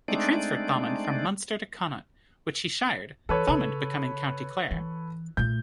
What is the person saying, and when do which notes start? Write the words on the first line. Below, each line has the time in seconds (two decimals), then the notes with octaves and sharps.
He transferred Thomond from Munster to Connaught, which he shired, Thomond becoming County Clare.
0.08 G#3 A3 C4 D4 D#4 D5
3.29 E3 A4 B4 C#5
3.48 C#3
4.71 E3
5.37 A#2 A3 G6